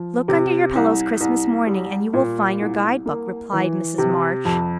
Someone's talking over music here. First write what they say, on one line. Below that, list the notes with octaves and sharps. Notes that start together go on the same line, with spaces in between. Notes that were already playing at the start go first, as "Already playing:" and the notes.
"Look under your pillows Christmas morning, and you will find your guidebook," replied Mrs. March.
Already playing: F3
C3
C2
C2
G3
A#2
C2
A#3
E3
C3
F2